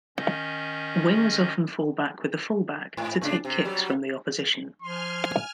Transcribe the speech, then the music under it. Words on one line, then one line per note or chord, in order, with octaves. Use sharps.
Wingers often fall back with the fullback to take kicks from the opposition.
D#3 C#4 D#5 G6
G#2
A2 C#3 D4
C3
F#3 G3
F3 G#5 C6 F6